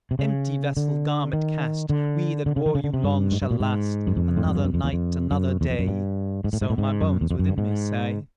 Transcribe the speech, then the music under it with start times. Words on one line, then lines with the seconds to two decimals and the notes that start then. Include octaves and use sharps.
"Empty vessel, garment cast, We that wore you long shall last. -Another night, another day." So my bones within me say.
0.11 C3
0.19 C#3
0.77 D3
1.33 D#3
1.89 D3
2.46 D3
2.56 C#3
2.66 D#3
2.75 C#3
2.84 D3
2.94 C3
3.04 G2
3.32 G#2
3.42 G2
3.51 A#2
3.60 G#2
4.07 F#2
4.17 F2
4.37 A2
4.46 G#2
4.55 G2
4.65 F#2
4.74 F2
4.84 E2
4.93 F2
5.31 F#2
5.61 E2
5.70 F2
5.79 F#2
5.88 G2
6.44 G#2
6.53 A2
6.61 G#2
6.70 A2
6.78 G#2
7.01 F#2
7.21 E2
7.31 F2
7.39 F#2
7.49 G2
7.58 G#2